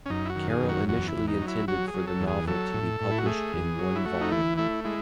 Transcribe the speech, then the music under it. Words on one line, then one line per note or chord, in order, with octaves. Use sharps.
Carroll initially intended for the novel to be published in one volume.
C#4
F#2 D#4
E4
F#4
D#3
G#4
F#2
F#4
E2 F#4
E4
E2
D#4
F#3
E4
F#3 F#4
G#4
F#3
A4
E2
G#4
F#3 A4
A2
A2
E4
F#4
A3 G#4
E2
F#3
E4
A3 F#4
D#4
E3 E4
A3 E4
G#3 E4